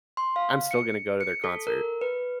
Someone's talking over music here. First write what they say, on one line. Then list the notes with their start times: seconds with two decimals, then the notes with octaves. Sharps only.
I'm still gonna go to their concert."
0.17 C6
0.36 F5
0.71 C#7
1.21 C#7
1.44 A4
1.67 A#4
2.01 B4